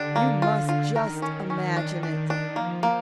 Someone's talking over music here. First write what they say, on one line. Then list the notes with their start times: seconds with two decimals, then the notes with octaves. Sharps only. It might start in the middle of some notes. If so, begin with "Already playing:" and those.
You must just imagine it.
Already playing: D3 D4 G4
0.16 A#3
0.42 F4
0.69 F4
0.96 D#3 A#4
1.22 C#4
1.50 C#4
1.76 D4
2.03 D4
2.30 D4
2.56 F3 A#3
2.83 A#3